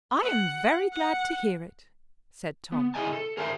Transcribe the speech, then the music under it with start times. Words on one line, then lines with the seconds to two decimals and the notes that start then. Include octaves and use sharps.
"I am very glad to hear it," said Tom.
0.23 F#5
0.92 F#5
2.72 B3
2.94 C3 E4 G#4 D#5 G#5 A5
3.13 A4
3.37 G#4 A#4 C5 E5 G5 A5